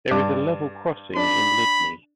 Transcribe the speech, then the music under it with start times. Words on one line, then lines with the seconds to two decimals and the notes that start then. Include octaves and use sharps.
There is a level crossing in Lydney.
0.11 G2 D4 D6
1.16 D4 B5